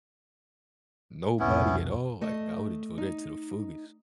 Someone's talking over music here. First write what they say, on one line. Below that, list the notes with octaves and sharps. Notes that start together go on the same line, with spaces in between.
Nobody at all, like I would enjoy that to the fullest.
C2 F2 B2 B3 C#4 E4
A3 D#5
D#4